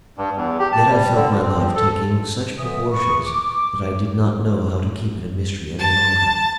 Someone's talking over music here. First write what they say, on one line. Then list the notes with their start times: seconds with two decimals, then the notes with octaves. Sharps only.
Yet I felt my love taking such proportions that I did not know how to keep it a mystery any longer.
0.18 G2
0.37 E2
0.59 G4
0.72 A5
0.90 G3
1.15 D3
1.31 F3
1.42 C4
1.59 F3
1.75 A4
2.58 D3 E3 F#3 E5 D#6
2.92 G#4 B4 B5 C#6
3.26 D6
5.79 A5